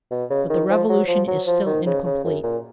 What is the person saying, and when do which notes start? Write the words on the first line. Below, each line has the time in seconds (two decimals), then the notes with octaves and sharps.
But the revolution is still incomplete.
0.11 B2
0.30 C#3
0.50 D#3
0.70 F3
0.89 F#3
1.08 F3
1.28 F#3
1.47 F3
1.66 D#3
1.86 C#3
2.06 C#3
2.24 F#2
2.44 A#2